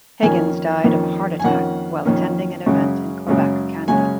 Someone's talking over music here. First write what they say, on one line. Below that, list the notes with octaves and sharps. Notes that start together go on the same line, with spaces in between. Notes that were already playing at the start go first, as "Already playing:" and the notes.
Higgins died of a heart attack while attending an event in Quebec, Canada.
F2 D#3 A#3 C#4 G#5
F2 D#3 A#3 C#4
G#5
F2 D#3 A#3 C#4 F#5
F2 D#3 A#3 C#4
F#2 C#3 G#3 C#4
F#2 C#3 G#3 C#4
F#2 C#3 G#3 C#4 G#5